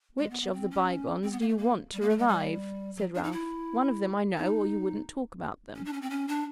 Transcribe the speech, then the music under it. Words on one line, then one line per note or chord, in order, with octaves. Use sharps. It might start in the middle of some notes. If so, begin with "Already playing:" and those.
'WHICH of the bygones do you want to revive?' said Ralph. 'One of them, I know, or you wouldn't talk about them.'
G#3
B3
B3
C4
C#4
C4
B3
A#3
A3
A#3
G3
A#3
A3
G#3
G3
F#3
D4
D#4
E4
D#4
C#4
D4
C#4
C4
C#4
D4